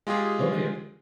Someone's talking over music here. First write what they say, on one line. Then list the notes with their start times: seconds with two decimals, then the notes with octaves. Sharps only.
Oh, yeah.
0.07 G#3 F4 G4 G#4